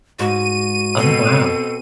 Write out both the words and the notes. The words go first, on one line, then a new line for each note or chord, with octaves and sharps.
Oh wow.
G#2 F#4 D#7
B2 C4 A4